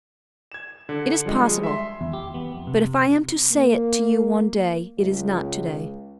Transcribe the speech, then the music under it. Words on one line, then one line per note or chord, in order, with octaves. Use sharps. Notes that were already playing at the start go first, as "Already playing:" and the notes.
"It is possible; but if I am to say it to you one day, it is not to-day."
G#6 E7
D3
F3 G3 G#3 D#5
E5 C6
E2
G4
B3
F2
C3
A#3
C#2